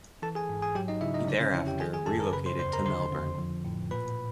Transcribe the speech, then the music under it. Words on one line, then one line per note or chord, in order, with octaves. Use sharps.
He thereafter relocated to Melbourne.
E3 A4 A5
G#4 G#5
G#2
G#4 G#5
F#3 G4 G5
D#4 D#5
C#3 E4 E5
D#4 D#5
D3 D4 D5
C#4 C#5
F2 E4 E5
G4 G5
D#3 G#4 G#5
G#4 G#5
F#2 A4 A5
A#4 A#5
C#3 B4 B5
C5 C6
E2 C5 C6
A#4 A#5
D3 C5 C6
F2
F3
A2
A#2 B4 B5